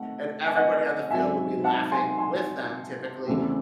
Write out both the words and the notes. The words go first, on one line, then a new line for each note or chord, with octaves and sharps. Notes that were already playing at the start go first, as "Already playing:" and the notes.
and everybody on the field would be laughing with them typically.
Already playing: C3 D#3 A3 C4 F#5
G#5
D#5 F#5
G#2 F#3 C4 E5 G#5
F#5 A5
G#5 C6
G#5 C6
E2 C#3 E3 A3 C4